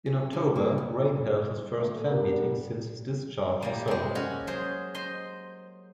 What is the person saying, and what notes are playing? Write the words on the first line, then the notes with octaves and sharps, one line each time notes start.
In October, Rain held his first fan meeting since his discharge in Seoul.
C#4
D3
A#3
F#2
D3 A3
B3 D4 G4 A4 A#4
G3 A#3
C3 G#3
C#4 F#4
F#3 G#4 C5
C5 D#5 C6